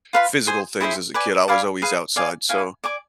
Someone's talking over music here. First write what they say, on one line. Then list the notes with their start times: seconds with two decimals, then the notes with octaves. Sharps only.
physical things as a kid, I was always outside, so,
0.13 F4 B4 F5 B5
0.47 G#4 C5 G#5
0.80 E4 G#4 C5 E5
1.14 B4 D5 G#5
1.48 D5 F5 G#5 B5
1.82 G#4 B4 F5
2.16 D5 F5 G#5
2.49 E4 B4 F5 G#5
2.84 D5 G#5 D6